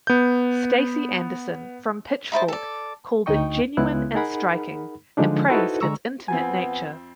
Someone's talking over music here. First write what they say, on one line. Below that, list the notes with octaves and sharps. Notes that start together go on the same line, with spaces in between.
Stacy Anderson from "Pitchfork" called it "genuine and striking" and praised its intimate nature.
B3 G6
D#4 E4 C5 A5
A4 D5
D2 D#4 D#5 G5 C#6
C#2 C#3 G#3 B3 E4 F#6
D#4 G#4 A#4 F#5 B5
D3 F3 G#3 D4 D#4
D#4 E4 F#4 A4 B4 C5
D3 G#3 A#5 C#6 E6
F2 F3 B3 C4 G#5